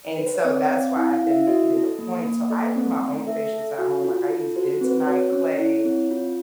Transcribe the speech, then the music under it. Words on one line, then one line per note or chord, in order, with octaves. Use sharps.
And so that's why I've been making it a point, so I do my own facials at home, like I use bentonite clay
B4
C5
C#5
C4 D5
F#5
C4 F5
F5
E4 F#5
F5
E4
E5
F#4 D#5
A4
A#3
A#3
D5
A4 D#5
C4
A3
A4 E5
A4
F#4
F4
A4
F#4 C5
C4 B4
C5
F#4 C#5
C#4
E4
C4
F4